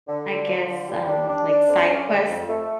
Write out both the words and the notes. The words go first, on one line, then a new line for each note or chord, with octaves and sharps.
I guess, um, like, side quest
D3
D3
F3
D3
G3
D4
D4
D4
F2
C#4
D3
F2
A3